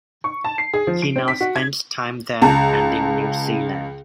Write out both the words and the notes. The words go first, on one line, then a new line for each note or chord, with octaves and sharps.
He now spends time there and in New Zealand.
C#6
A5
C7
G#4
F3
D7
C4
B6
F#4
G#6
C#2 A5 A#5